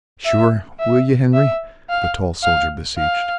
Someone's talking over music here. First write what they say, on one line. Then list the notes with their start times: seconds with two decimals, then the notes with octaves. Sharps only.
"Sure--will yeh, Henry?" the tall soldier beseeched.
0.25 E5
0.79 E5
1.34 E5
1.89 F5
2.43 F5
2.98 F5